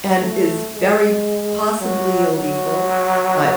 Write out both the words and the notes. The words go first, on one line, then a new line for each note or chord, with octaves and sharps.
and is very possibly illegal, but
A3
G#3
F#3
F#3